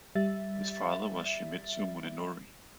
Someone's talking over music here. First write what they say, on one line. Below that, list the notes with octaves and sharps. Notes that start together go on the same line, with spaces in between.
His father was Shimizu Munenori.
G3 E5 A6